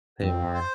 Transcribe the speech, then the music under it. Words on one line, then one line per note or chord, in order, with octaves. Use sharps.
They are.
F2 C4
C5